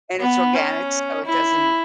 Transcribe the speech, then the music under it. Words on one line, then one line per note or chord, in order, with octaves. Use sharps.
and it's organic so it doesn't, uh
B3
C#4
E4